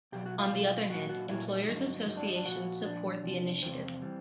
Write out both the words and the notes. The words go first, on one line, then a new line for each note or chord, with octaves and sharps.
On the other hand, employers’ associations support the initiative.
B2 F#3 G4
F#4
F4
B2 F#3
A#2 F#3 F#4
F#4
A#2 F#3 E4
D#4
G2 D3 F#3
G2 D3 F#3 D#4
D4
D#4
D4
A#2 F3 F#4
A#2 F3 D4
E2 C3 F3
E2 C3 F3 C4
E3 G3